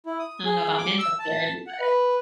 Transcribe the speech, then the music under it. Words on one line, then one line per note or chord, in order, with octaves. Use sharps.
I don't know about mental clarity, but
E4
D#6
G#4
D6
E6
A5
F#5
B4